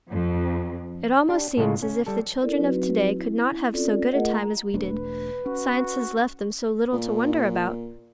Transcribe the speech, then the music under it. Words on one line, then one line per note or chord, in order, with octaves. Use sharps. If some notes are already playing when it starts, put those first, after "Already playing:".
It almost seems as if the children of to-day could not have so good a time as we did, science has left them so little to wonder about.
F2
D4 G4
A2 C#3 G#3 F4
C#4
G3 A4
C4 E4 A4 A#4 D5
F#3 C4 D#4 F#4 B4
C4 E4
C4 C#4 F4 A4 D5
A3 F4 G#4 A#4 D#5 F#5
A#5
E1 A3 D4 B4
C#4 F#4
A#2